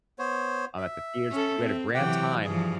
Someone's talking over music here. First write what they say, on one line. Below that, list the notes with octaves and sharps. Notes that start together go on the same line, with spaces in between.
I'm at the theaters, we had a grand time.
B3 C5 C#5
E5
C#4 A4
C4
C3 E3 F#3 G4 F#5 G5
G2 E3 F3 G#4